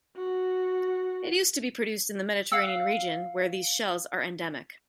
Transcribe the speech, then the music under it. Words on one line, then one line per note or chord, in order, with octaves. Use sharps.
It used to be produced in the Mediterranean region where these shells are endemic.
F#4
F5 F#5 E6